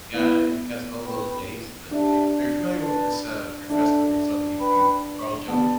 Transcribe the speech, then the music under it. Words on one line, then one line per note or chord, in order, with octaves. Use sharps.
Yeah, and he cast all those waves and such things. Are you familiar with this, uh, professor? He's on YouTube, Carl Jung?
B3 E4 B4 D5
B4 G5 B5
D4 G4 E5 A5
B4 D5 A5
D4 A4 E5 A5
B4 G5 B5
B3 G4 D5 A5